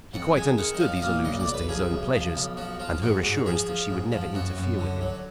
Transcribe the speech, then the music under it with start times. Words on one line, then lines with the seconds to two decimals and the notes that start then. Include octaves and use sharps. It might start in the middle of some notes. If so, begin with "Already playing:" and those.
He quite understood those allusions to his own pleasures and her assurance that she would never interfere with him.
0.14 F2 F#5
0.36 G#3 G#5
0.58 D#3 F#5
0.74 D#5
0.80 F3 F5
0.96 D#5
1.02 A#2 F5
1.24 B1 D#5
1.40 D5
1.46 B1
1.54 B4
1.69 F3 G#4
1.91 B1
2.13 F3
2.35 B1
2.57 F3 F#4
2.79 F3 F4
3.02 G#2 F#4
3.24 G#2 F#4
3.46 F3 G#4
3.68 F3
3.90 G#2
4.13 F3
4.34 F#2 F#4
4.57 F#2
4.79 D3
5.01 F#3